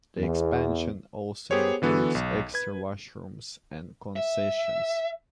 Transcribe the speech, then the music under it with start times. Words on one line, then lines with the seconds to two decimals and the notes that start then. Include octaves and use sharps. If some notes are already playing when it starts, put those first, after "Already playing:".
The expansion also includes extra washrooms and concessions.
0.18 E2
1.51 B3 G4 G#4 A#4 C5 C#5
1.82 D3 E3 B3 F#4 A4
2.15 B1
2.54 B4 G#6
4.16 E5